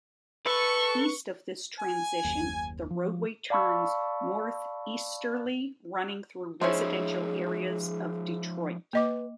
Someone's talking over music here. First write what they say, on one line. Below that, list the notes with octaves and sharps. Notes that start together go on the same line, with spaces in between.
East of this transition, the roadway turns northeasterly running through residential areas of Detroit.
A4 B4 C#6
G#5
F#1 D#2
F3
D5 F5 A5 B5 C#6 E6
F3 G#3 C#4 D#4 E4 G#4 C5
A#3 B4 D#5 D6